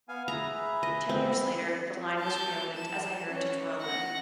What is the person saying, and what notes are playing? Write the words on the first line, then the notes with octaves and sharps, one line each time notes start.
Ten years later the line was reopened as a heritage railway.
B3 F5 G#5
G#4 B4 E5 A#5
D#5
C4
A5 G6
E7
C#4
F#5 A#6